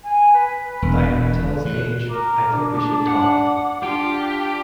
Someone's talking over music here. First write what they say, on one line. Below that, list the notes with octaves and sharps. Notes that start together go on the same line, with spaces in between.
Diana tells Gage "I think we should talk".
G#5
B4
E1
A2 F#6
A#4 D6
D4
F#5
D4 F4 G4